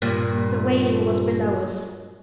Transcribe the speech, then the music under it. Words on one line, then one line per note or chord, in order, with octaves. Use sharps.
The wailing was below us.
G2 A#2